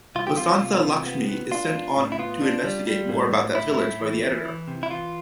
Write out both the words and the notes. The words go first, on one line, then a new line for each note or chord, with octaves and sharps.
Vasantha Lakshmi is sent on to investigate more about that village by the editor.
C2 F4
G4
C3 F4
C3
C3
B3
B3
D4 F4
D4
A2
E4
B3 F4
D4
G3
G3
A2
A2
A2 E4
A2
E3
E3
E3
C3
E4
E3 F4